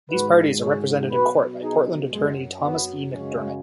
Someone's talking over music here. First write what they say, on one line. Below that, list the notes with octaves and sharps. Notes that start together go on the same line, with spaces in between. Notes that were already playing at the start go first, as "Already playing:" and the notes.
These parties are represented in court by Portland attorney Thomas E. McDermott.
G#2 D#3 F#3 F#4 B4
G#4 C#5
B2 F#3 F#4 B4
D#4 G#4
F#2 F#3 G#3
B3
F#2 C#3 F#3 G#3 C#4